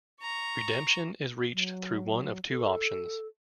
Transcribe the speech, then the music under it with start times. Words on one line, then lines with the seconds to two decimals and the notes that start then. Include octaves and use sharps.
Redemption is reached through one of two options.
0.22 A#5 C#6
1.53 F#3
2.49 A4